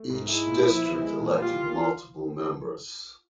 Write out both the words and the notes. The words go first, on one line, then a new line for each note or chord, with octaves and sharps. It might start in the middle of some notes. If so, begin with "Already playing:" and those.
Each district elected multiple members.
Already playing: A3
G#2
G#3 E4
A#2
F3
B3
G#3
A#2
G3 F4